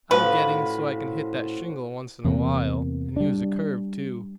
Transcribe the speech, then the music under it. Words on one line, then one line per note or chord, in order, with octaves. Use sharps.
I'm getting so I can hit that shingle once in a while, and use a curve, too.
A2 F3 C#4 F#4 B4
E2 C3 A#3
G3 D4